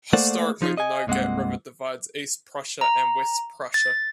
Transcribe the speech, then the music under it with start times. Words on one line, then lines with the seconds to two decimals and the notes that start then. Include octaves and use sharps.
Historically the Nogat River divides East Prussia and West Prussia.
0.13 A3 A#3 A4 C5 D5 F#5
0.62 F3 D#4 F4
0.77 D#5 G#5
1.07 C2 G2 G#3 A#3 C4 F#5
2.81 A#5
3.74 A6